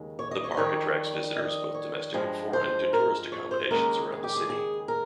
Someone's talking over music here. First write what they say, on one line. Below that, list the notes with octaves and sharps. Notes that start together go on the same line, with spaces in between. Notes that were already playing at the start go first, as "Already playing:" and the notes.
The park attracts visitors both domestic and foreign to tourist accommodations around the city.
Already playing: D#2 C#3 G#3
C#5
D#5
C#5
D#5
F2 D#3 G3 C#5
D#5
C#5
G2 F3 G#3
C5
A#4
C#5
C5
D#2 C#3 G#3 A#4
G#4
G4
G#4
G#4
A#4